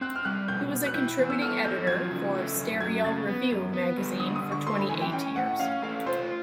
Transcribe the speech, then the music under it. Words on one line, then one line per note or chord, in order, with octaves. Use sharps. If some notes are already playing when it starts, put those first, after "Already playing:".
He was a contributing editor for "Stereo Review" magazine for twenty-eight years.
C4 F#6
F6
G3 F#6
B2 G6
B2
F#6
E4 G6
B3
E6
A4 F6
F#3 G6
F3 G#6
C#3
A3
F#2
F#3 G#6
C#3 A6
B3
F#2
B3
G3
D3 D#6
D#6
D3
C#6
A3 C6
B5
E3 G#5
G5
C#4 G5
A2 F#5
C#4 F5
A3 F5
F4 C5